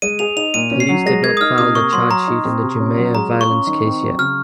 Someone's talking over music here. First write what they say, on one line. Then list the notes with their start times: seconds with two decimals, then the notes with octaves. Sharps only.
Police did not file the charge sheet in the Jamia Violence case yet.
0.02 G#3 D#7
0.19 G#4 F7
0.37 D#4 F7
0.54 A#2 D#7
0.71 C#4
0.80 C7
0.89 F#3
1.06 G#3 A#6
1.23 A#4 G#6
1.37 D#6
1.41 D#4 F6
1.58 C3 D#6
1.75 A#3 C#6
1.93 F#3 C6
2.11 F#3 A#5
2.28 D#4
2.45 C4
2.62 C3
2.80 C#4
2.97 F#3
3.15 G#3 A#5
3.32 F4
3.41 C#6
3.49 C#4
3.67 D#3
3.84 C4
4.01 F#3
4.18 C#3 F6